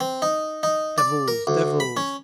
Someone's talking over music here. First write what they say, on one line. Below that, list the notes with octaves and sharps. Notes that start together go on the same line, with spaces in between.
Devils! Devils!
C4
D#4
D#4
D5
A#4
D2
B5
C#4